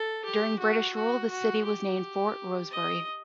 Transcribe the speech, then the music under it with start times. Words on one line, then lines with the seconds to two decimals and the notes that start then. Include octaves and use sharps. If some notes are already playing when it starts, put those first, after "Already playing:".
During British rule the city was named "Fort Rosebery".
Already playing: A4
0.25 G4
0.59 F#4
0.95 F#4
1.30 F#4
1.65 G4
2.71 D#5